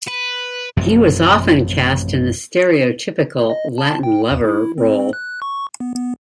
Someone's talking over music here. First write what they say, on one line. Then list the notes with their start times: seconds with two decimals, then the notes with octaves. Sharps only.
He was often cast in the stereotypical "Latin Lover" role.
0.08 B4
0.77 A1 F#2 C3 F3
3.50 D#5
3.78 A5
4.03 G5
4.31 E2
4.45 E4
4.78 C4
5.13 F#6
5.42 C#6
5.80 B3
5.95 B3